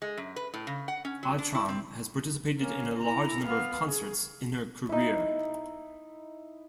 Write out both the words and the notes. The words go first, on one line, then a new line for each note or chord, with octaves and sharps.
Ajram has participated in a large number of concerts in her career.
G#3
F#2
B4
A2
C#3
F#5
C#4
F#3
D4
E4
C4
A#3 C#4
E4 A#5
B3 F5
G#4
D#4 E4